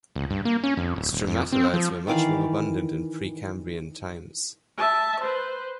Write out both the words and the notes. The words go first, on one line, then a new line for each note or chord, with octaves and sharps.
Stromatolites were much more abundant in Precambrian times.
C#2
G2
A#3
C#4
F2
D1
D#1
F2
C4
F3
D#3 E3 D5 F5
E5 A5
B4 C5